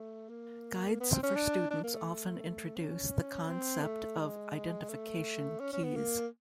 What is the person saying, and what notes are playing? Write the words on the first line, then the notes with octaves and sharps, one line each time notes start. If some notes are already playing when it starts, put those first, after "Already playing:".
Guides for students often introduce the concept of identification keys.
Already playing: A3
A#3
B3
C4
C#4
D4
D4
A#3
A3
C#4
C4
A3
G#3
A3
C#4
C#4
B3
A#3